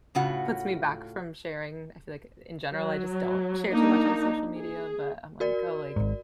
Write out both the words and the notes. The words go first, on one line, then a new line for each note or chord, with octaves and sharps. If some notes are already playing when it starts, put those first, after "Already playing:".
puts me back from sharing, I feel like in general, I just don't share too much on social media, but I'm like, oh, like,
A2 C#3 F4 F#4 F#5
F#3
A#3 D4 D#4
G#4
F#4 A#4 D5
G#1 G#2